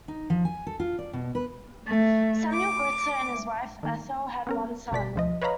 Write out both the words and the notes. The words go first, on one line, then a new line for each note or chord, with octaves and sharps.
Samuel Greitzer and his wife Ethel had one son.
D#4
F3
G#5
A4
F4
D5
B2
B4
A3
D6
D#3 A#3
B3 C#4 A#4
G1 B2 D5 B6
D2 F3 D#5
B4 C#5 D#5 F5 A#5 B5